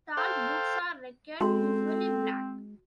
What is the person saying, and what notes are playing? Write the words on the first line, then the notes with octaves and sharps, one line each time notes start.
Tall boots are required, usually black.
A4 C5 F5 G5
G#3 C4 F#4 A4 C6